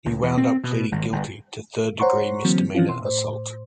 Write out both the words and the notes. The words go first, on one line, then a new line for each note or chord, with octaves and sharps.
He wound up pleading guilty to third-degree misdemeanor assault.
C#2
E2
C4
B2
G#1
G1
C5 C#5 F#5 A#5 C6 C#6
D3 E3 F#3 A#3 C4
E3 F3 C4 C#4 F4
B2 C6
A2 C5